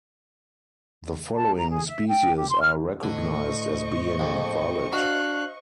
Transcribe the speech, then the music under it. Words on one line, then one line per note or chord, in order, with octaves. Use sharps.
The following species are recognised as being valid.
A5
A#5
G#4
E5
G5
G4
C6
F6
A2 D3 C5 D#5 C#6
A#1 F2
D4 F#4 F5 F#6